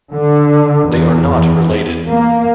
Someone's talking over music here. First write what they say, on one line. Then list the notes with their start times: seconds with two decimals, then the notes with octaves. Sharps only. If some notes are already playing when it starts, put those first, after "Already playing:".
They are not related.
0.12 D3
0.89 E2
1.31 E2
2.09 A#3